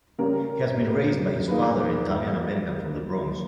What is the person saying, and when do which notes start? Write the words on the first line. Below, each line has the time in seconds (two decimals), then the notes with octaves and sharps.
He has been raised by his father, an Italian-American from the Bronx.
0.18 C#3 G3 C#4 G4 A#4
1.48 D#3 A#3 D#4 G#4 B4